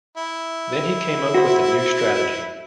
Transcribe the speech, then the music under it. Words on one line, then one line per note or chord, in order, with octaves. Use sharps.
Then he came up with a new strategy.
E4
F#4 C5